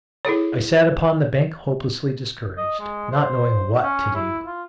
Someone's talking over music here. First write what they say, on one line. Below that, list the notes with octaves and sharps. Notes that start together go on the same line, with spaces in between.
I sat upon the bank hopelessly discouraged, not knowing what to do.
E4 G#4 A4 C#5
D#5
G#3
C5
C#4
E4
F4